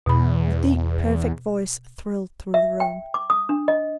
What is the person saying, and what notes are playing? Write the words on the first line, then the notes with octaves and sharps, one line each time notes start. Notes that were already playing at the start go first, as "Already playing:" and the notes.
The deep, perfect voice thrilled through the room.
E2 B2 B5
E5
G5
D6
D#6
D4
D#5